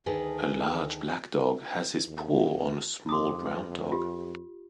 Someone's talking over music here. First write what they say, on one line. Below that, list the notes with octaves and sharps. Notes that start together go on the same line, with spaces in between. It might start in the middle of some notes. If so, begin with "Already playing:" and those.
A large black dog has his paw on a small brown dog.
D2 D#3 G#4 A4 B4
D#2
F2 C6 D6 D#6
F4 G4